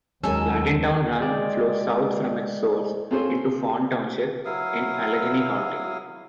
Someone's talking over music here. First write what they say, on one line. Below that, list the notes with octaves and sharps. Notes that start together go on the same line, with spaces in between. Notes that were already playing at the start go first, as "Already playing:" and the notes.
Lardintown Run flows south from its source into Fawn Township in Allegheny County.
D#2 F#3 G#3 C#4 A4 A#4 G#5
G#3 G#4 D5 G5
C4 C#4 F4 G#4 A4 C5
F#3 E4 F5 D#6